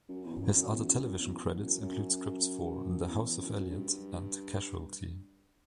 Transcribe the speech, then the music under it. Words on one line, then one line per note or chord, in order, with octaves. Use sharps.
His other television credits include scripts for "The House of Eliott" and "Casualty".
F#2
E2
F#2
F#2
E2
F#2
F#2
E2
E2
F#2
F#2
E2
E2
F#2
F#2
G2